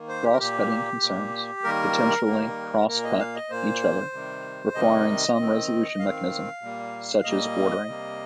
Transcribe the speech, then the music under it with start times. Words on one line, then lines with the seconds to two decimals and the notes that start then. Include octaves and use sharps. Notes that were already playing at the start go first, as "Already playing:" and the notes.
Cross-cutting concerns potentially cross-cut each other, requiring some resolution mechanism, such as ordering.
Already playing: D#3 A#3
0.08 C5
0.23 G4
0.33 A#4
0.39 A#2 A#3 G4
1.01 A#2 A#3
1.64 D#3 G3 A#3 A#4
2.26 D#3 G3 A#3
2.88 A#2 A#3 A#4
3.04 D#5
3.19 F5
3.35 D#5
3.50 A#2 A#3 C5
4.13 C3 D#3 G3
4.75 C3 D#3 G3 D#5
5.38 D#3 C4
5.99 D#3 C4 F5
6.62 A#2 G3 A#3
7.24 A#2 G3 A#3 D#5
7.86 C3 G3 A#3